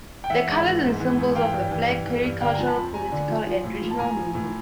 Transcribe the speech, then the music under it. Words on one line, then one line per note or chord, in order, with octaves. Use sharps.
The colors and symbols of the flag carry cultural, political, and regional meanings.
G5
E3 E5 F#5
G#2
E3
G#2
E3
G#2
E3 F5 G5
G2
E3
G2
E3
G2
D3 F5 G5
F3 G#5 A#5
A5 B5
F2
F2 G#5 A#5
D3
F3
F3
A2
F3
A5
A2 G#5 A#5
F3
A2